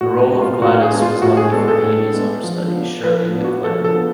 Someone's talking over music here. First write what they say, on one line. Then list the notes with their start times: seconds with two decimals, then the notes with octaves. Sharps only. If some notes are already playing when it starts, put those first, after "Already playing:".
The role of Gladys was lucky for Haney's understudy, Shirley MacLaine.
0.01 A2 F#4
0.21 F#4
0.31 G#3 B3 D4
0.42 F4
0.62 A2 F#4
0.82 G#4
0.92 G#3 B3 D4
1.02 F4
1.22 A2 F#4
1.37 G#4
1.52 G#3 B3 D4 A4
1.68 A4
1.83 A2
2.14 G#3 B3 D4
2.44 F3
2.74 B3 D4
3.04 F3 B4
3.34 B3 D4
3.44 F#4
3.64 F3 A4
3.84 A4
3.95 B3